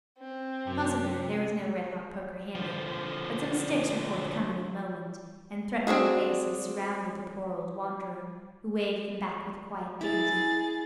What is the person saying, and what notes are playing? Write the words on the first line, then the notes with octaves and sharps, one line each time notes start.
Possibly there was no red-hot poker handy: but some sticks were forthcoming in a moment, and threatening faces surrounded the poor old wanderer, who waved them back with quiet dignity.
C4
F#2 C3
D3 F3
C4 D4 F#4 G#4
E4 G#4 A6